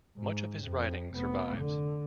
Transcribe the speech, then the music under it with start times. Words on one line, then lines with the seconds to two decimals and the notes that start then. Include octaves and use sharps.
Much of his writing survives.
0.17 G#2
0.64 F2
1.15 F1 B3
1.57 D3